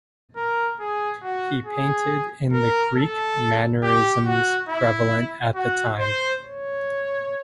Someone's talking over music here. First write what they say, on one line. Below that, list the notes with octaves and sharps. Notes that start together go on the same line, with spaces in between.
He painted in the Greek mannerisms prevalent at the time.
A#4
G#4
F#4
G#4
A#4
A4
G4
F#4
E4
F#4
C5
C#5